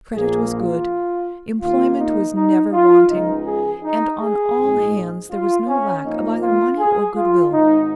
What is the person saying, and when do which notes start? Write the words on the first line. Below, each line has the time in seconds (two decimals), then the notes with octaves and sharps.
Credit was good, employment was never wanting, and on all hands there was no lack of either money or good-will.
0.14 A#1 A#2 F3 A#3 G#4
0.51 F4
1.61 D#2 D#3 A#3 F4
1.99 D#4
2.35 D#4
2.72 F4
3.09 C#2 C#3 F3 D#4
3.46 G#4
3.83 D#4
4.20 G#4
4.56 A#1 G#2 G#3
5.31 F4
5.67 C#4
6.04 F2 F3 A#3 D#4
6.42 F4
6.78 G#4
7.16 F4
7.52 G#1 G#2 D#3 D#4